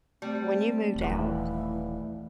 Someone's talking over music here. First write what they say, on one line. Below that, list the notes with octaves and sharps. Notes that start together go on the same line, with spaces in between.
when you moved out
G3 A3 C4
D#1 E3